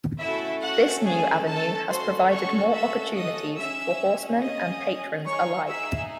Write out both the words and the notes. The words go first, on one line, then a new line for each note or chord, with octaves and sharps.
This new avenue has provided more opportunities for horsemen and patrons alike.
A3 C#4 E4 F#4 A4 E5
F#4 F#5
G#4 G#5
A4 A5
C#4 F#4 A4 C5 C6
C#5 C#6
E5 E6
D#5 D#6
C#4 G#4 E5 E6
D#5 D#6
D#4 G#4 C#5 C#6
E5 E6